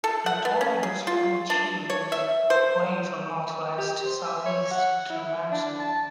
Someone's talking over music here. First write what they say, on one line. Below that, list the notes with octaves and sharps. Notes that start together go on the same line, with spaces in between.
The tornado slowly chewed its way from northwest to southeast through Manson.
A4
F#5
B3
C#4
G#4
F4
D4
C#5
E5
C5
G4
C5
E5
C#5
F#5
E4
D4
A5